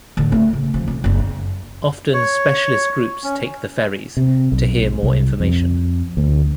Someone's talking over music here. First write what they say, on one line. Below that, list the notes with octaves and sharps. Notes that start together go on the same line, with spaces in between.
Often specialist groups take the ferries to hear more information.
A2 D3
A3
C#3
F3
B1
F#1 D4
C#5
C#4
C3
B1
C2
F2
D2